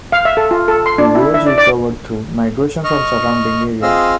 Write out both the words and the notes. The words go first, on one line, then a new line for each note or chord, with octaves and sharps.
The village recovered through migration from surrounding areas.
F5
E5
A4
F4
A4
C6
D4
E4
E5
D5
D5
D#5 C#6 F6
C4 F4 G#4 D#5 F5 E6